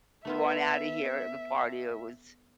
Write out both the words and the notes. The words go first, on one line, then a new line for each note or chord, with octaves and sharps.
we want outta here, the party, yeah, was
A3 B3 F4 E5